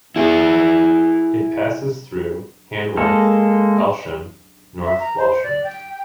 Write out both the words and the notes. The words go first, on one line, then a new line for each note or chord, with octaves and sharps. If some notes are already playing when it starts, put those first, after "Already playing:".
It passes through Hanworth, Aylsham, North Walsham.
E4 G#4
G#3 A#3 A4
E5
A#5
C5
D5
G5